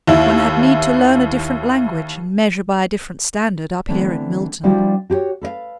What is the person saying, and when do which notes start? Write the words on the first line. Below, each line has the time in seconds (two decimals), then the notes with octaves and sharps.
One had need to learn a different language, and measure by a different standard, up here in Milton.'
0.07 D#2 E4
3.88 D3 E3 A3 B3 C4 D4
4.63 F3 G3 D4 E4 F#4 G4
5.10 F#4 G4 B4 C#5
5.41 A4 B4 D#5 F5